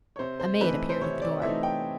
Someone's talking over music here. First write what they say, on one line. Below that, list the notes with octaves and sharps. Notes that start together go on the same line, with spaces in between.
A maid appeared at the door.
C#5
C3 C5
C5
E3 A3 C4 D#4 B4
C5
C3 C#5
D5
E3 A3 C4 D#4 E5
G5